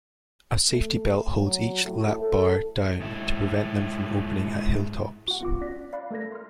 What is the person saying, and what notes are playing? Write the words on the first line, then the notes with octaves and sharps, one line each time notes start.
A safety belt holds each lap-bar down to prevent them from opening at hilltops.
A3
F#3
A2
A4
G#2 E4
F#4 F#5
B3 F4 D6
C#4 D5 F#6 A#6 B6
D5 F5 B5 F#6
A3 A4 A#4 G#6 A#6
C6 F6